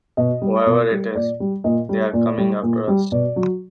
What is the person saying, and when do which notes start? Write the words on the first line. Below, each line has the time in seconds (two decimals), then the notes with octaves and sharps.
Whoever it is, they are coming after us.
0.17 B2 D#5
0.42 G3
0.66 B2
0.91 G3
1.15 A#2 D5
1.40 G3
1.64 A#2 D#5
1.89 G3
2.13 A#2 D5
2.38 G3
2.63 A#2
2.88 G3
3.12 B2 D5
3.36 F#3